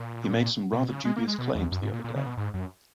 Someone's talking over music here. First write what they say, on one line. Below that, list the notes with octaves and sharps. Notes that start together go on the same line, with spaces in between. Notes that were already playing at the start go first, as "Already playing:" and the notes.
He made some rather dubious claims the other day.
Already playing: A#2
B2
C#3
G#3
A#3
G#3
B2
E2
F#2
G#2
A#2
A#2
C#3
B2
G#2
F#2